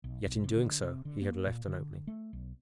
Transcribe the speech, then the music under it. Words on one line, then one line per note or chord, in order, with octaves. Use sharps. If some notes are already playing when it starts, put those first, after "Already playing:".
Yet, in doing so, he had left an opening.
B1
B1
C3
D3
C3
D3
A#3
A#2
D3
A3
B1